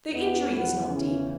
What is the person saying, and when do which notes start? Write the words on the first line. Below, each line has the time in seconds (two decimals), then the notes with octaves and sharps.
The injury is not deep.
0.11 E2 E3 B3
0.50 B3
0.87 E2 C#3 E3 C#4